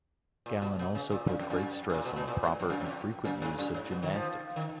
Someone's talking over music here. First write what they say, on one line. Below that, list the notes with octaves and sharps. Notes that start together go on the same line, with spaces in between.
Galen also put great stress on the proper and frequent use of gymnastics.
A#2
B2
B2
C#3
A#2
F#2
F2
F#2
G#2
A#2
B2
B2
A#2
G#2
F2
F#2
F2
F#2
G#2
F#2
G#2
B2
D#3
F3
D#3